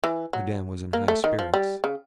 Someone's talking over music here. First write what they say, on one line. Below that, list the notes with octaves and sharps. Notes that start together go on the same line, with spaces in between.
Madame was in high spirits.
E3
F#3
A#3
A3
D#3
F3
G3
C#3